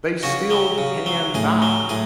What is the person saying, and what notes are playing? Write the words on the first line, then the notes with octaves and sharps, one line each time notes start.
they still can die.
C#3 F#4
F#3
C#3
F#3
A2 G#4
F#3
A2 G#4